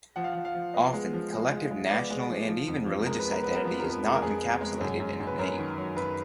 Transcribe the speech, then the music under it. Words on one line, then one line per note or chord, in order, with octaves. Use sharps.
Often, collective national and even religious identity is not encapsulated in a name.
F3 F#5
F5
F3 F#5
F5
F3
B3 D#5
G#3
F3
G#3
G#3
G#3
B3 D5
G#3
F3
F3
F2
F3
G#3 A#4
B4
B3
A#4
B3 B4
A#4
F3 B4
F2 A#4
B4
G#3 A#4
A#4
F2 G#4
B3
G#3
F#2
F#2
F#2
B4
F#2 A#4
D#3
F#3
F#2 B4